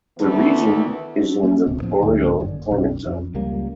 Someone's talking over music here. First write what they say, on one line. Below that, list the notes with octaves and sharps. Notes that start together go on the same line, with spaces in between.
The region is in the boreal climate zone.
D2 D#3 E3 A3 B3
A#3 C4 C#4
D#1 C#2 A2 C3
A2 F3 B3
C#2 G#2 D3 A#3
G1 F#2 D3 D#3
B1 F#2
F2
C#2 G3 A#3 C#4